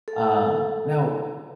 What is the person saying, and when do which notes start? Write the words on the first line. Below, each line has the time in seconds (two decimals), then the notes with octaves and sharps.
um, now,
0.08 A4